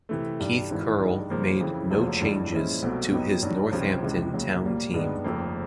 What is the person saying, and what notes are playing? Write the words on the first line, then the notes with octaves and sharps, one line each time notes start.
Keith Curle made no changes to his Northampton Town team.
C3 E3 A3
G2 D#3 G3
G#1 G#2 E3
G2 D#3 G#3
C#3 F3 A#3
F2 C#3 E3
F1 D#2 C#3 F3
G2 E3 G#3
A#2 F3 G#3 C#4 E4
C2 B2 F#3 A3 C4
B2 F#3 B3 D#4 G4
G2 D#3 F#3
C#2 C3 F3 G#3 C#4
C#2 C3 E3 G#3 C#4
E1 D#2 C#3 F#3
A#1 A#2 G3 A#3
G2 D#3 G#3 B3 D4
F1 F2 C#3 F3 A#3